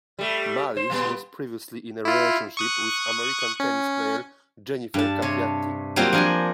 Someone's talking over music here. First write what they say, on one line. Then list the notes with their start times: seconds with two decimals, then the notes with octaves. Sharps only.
Malisse was previously in a relationship with American tennis player Jennifer Capriati.
0.19 G3 A3
0.77 C5
0.90 A#2 G3 B3
2.05 E4 F4
2.57 C#6 D#6 F#6
3.60 C#4
4.94 G2 A5
5.22 C3 C#5
5.96 F#3 G3 A#3 C4 F4
6.13 F3 D4 A#4 G#5